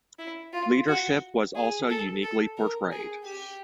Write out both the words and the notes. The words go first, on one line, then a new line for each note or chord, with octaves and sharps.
Leadership was also uniquely portrayed.
E4
F4
F#4
G#4
A4
A4
A#4
G#4
G4